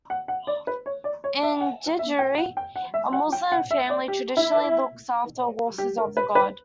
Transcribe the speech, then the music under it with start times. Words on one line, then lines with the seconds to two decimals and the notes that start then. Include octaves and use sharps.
In Jejuri, a Muslim family traditionally looks after the horses of the god.
0.10 F#5
0.28 F#5
0.47 D5
0.67 B4
0.86 C#5
1.04 D5
1.24 C#5
1.43 E5
1.61 F#5
1.99 E5
2.19 G5
2.38 F#5
2.57 G5
2.76 F#5
2.94 E5
3.13 F#5
3.32 G5
3.52 F#5
3.71 E5
3.90 D5
4.08 G4
4.37 E4
5.78 G4
5.98 A#4
6.17 B4
6.35 B4